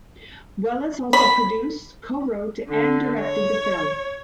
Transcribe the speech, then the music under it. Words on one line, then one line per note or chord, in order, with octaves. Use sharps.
Welles also produced, co-wrote and directed the film.
B5
D3
C#5